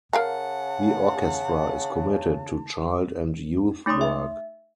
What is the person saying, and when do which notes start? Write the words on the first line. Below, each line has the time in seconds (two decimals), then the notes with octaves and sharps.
The orchestra is committed to child and youth work.
0.13 C#3 A#4 F5 F#5 A5 A#5
3.86 A3 D#4 C#5 C6 D#6
4.01 E5